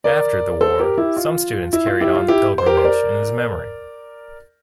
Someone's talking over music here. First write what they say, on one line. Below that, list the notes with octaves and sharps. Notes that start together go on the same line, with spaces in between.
After the war, some students carried on the pilgrimage in his memory.
A#4 D5
A4 C5
G4 A#4
E4 G4
F4
E4
F4
E4 G4
F4
E4 G4
C5
G4 A#4
C5
A#4 D5